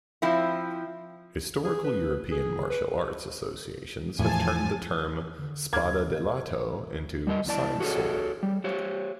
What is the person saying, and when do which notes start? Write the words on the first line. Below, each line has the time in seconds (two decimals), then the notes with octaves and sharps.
Historical European Martial Arts associations have turned the term "spada da lato" into "side-sword".
0.22 F3 C4 E4
1.64 G#4
1.84 B4
2.32 G#4
2.70 B4
4.19 E2 A2 F3 G#5 A5
5.39 D3
5.73 D#2 A#3 G#6
7.27 G3 A#4 D#5
7.47 E2 E3 D5 A5
7.80 F#4 G#4 A4 C#5
8.43 G3
8.64 G4 C5 C#5